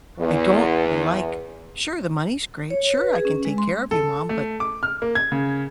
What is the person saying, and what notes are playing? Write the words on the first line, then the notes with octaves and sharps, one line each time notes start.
I don't like sure, the money's great, sure, I can take care of you, mom, but,
E2
C#5
C#5
B4
G#4
C#4
G#3
C6
A4
A3
D6
F6
A#3
G#6
C#3